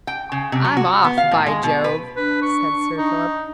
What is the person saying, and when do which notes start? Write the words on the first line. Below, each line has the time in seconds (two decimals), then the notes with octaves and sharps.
"I'm off, by Jove!" said Sir Philip.
0.07 G5
0.32 C#3
0.52 C3
0.65 F#3
0.77 F#4
1.04 B3
1.17 F5
1.31 A2
1.46 G#3
1.63 B2
1.84 B4
2.16 D4 B4
2.42 C#6
2.98 D4 D#4